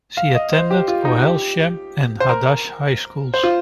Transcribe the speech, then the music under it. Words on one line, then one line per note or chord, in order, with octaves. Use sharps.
She attended Ohel Shem and "Hadash" high schools.
F5
D#5
C5
G4
F4
D#4
G4
C5
A#4
C5
F4